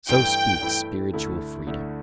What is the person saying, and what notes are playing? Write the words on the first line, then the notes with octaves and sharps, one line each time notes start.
So speaks "spiritual freedom."
G2 E3 A3 E4 B4 G5
G2 E3 A3 E4 B4
D2 D3 A3 E4
D2 D3 A3 E4